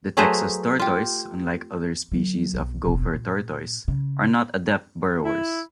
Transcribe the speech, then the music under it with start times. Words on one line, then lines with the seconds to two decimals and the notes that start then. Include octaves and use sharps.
The Texas tortoise, unlike other species of gopher tortoise, are not adept burrowers.
0.17 F#3 A3 G#4 B4 C5 A#5
0.79 F4 G4
2.12 D3 F#3
2.53 B1
2.85 E1 A1
3.14 A#2
3.88 C#3
5.23 E4